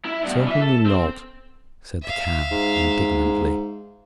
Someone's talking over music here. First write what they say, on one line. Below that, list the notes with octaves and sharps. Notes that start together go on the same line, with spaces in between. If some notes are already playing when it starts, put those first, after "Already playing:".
"Certainly not," said the Cow, indignantly.
E4 E5
G2 B2
E3 E5
A4
C4
E5 F5
G#2